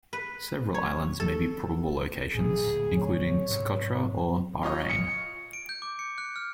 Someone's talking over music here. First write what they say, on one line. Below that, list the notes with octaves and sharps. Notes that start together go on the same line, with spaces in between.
Several islands may be probable locations, including Socotra or Bahrain.
B4
C#5
A4
A#1 A2 C3 G#4
D1
C#5
G#2 C3
F4 C#5 D#5
C#7
D7
G6
D6
C#7
F#6
F6